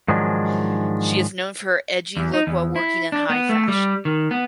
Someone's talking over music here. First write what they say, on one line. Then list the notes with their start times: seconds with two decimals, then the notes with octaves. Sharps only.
She is known for her "edgy" look while working in high fashion.
0.08 G#2 D#3 F3 F#3 G#3 D4
2.17 E2
2.34 D#4
2.47 E2
2.76 E4
3.12 D4
3.30 B3
3.49 A3
3.68 G3
4.05 D#3
4.31 B3